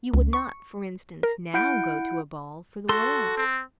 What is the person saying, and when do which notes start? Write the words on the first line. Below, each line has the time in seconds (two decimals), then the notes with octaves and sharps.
You would not, for instance, now go to a ball for the world.
0.14 C#2
0.33 C#6
1.23 A#4
1.54 E4 F#5 G6 D7
2.89 F#4 A4 C6
3.37 C4